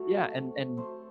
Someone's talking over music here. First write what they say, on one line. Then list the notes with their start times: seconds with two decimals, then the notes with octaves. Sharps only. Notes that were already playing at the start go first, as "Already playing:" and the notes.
yeah, and and
Already playing: F#3 A3 A4
0.31 C3
0.77 A3 C4 C5